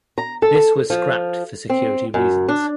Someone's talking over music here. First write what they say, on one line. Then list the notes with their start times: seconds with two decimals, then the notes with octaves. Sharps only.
This was scrapped for security reasons.
0.18 A#5
0.42 A4
0.90 F3
1.70 C4
2.14 F#2
2.49 D4